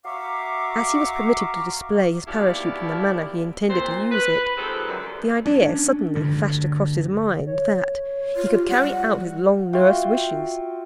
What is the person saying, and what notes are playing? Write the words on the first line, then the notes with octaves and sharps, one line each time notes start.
As he was permitted to display his Parachute in the manner he intended to use it, the idea suddenly flashed across his mind that, he could carry out his long-nursed wishes.
F#4 E5 F5 A#5 C#6 D6
D#2 B2 E4 G4 D5 F5
A#2 C4 C5
B4
F2 D#3 G3 G#3 C4 A4
F#2 D3
C#4 D4
D2 G2 D3
C#5
F4
G4
G3 F#5
F4 F#4 E5 G5